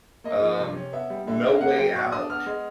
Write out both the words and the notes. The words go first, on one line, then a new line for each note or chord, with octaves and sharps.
Um, No Way Out.
A#3 D#5
F3
C3
C#4
B3 E5
G3
D3 E5
D#4 E5
F5
A#3 F#5
F#3 G5
B2 C#6
D4 D#6
B3 F6
G#3